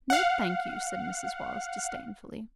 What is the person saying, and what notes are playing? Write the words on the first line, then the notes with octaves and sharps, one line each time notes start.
"No, thank you," said Mrs. Wallace disdainfully.
F5 F#5